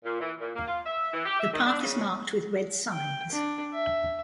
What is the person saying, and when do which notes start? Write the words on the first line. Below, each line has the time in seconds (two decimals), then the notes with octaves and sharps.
The path is marked with red signs.
0.05 A#2
0.20 E3
0.39 A#2
0.55 A#3
0.67 F4
0.85 E5
1.13 E3
1.25 G4
1.39 E5
1.52 D#3
1.65 D4
1.81 C#3
2.93 G5
3.32 D4
3.73 E5